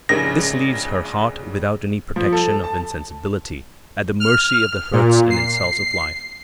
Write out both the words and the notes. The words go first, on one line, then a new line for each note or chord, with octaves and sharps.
This leaves her heart without any protection of insensibility, at the mercy of the hurts and insults of life.
A#1 G#2 C#3 A#6
F3
A4
A5
F6
A#2
C7